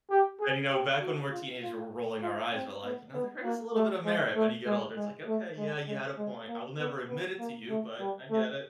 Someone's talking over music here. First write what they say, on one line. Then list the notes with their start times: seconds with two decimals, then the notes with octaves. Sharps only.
And, you know, back when we're teenagers, we're rolling our eyes but, like, you know, there is a little bit of merit when you get older, it's, like, "Okay, yeah, you had a point. I will never admit it to you, but I get it."
0.10 G4
0.40 G#4
0.71 G4
1.01 F#4
1.31 F4
1.62 F4
2.22 F4
2.53 C4
2.84 B3
3.14 B3
3.44 A#3
3.74 A3
4.05 G#3
4.35 A3
4.66 G#3
4.96 G#3
5.27 A3
5.57 G#3
5.87 G#3
6.18 G#3
6.48 A#3
6.78 B3
7.08 B3
7.39 A#3
7.69 A3
8.00 G3
8.30 A3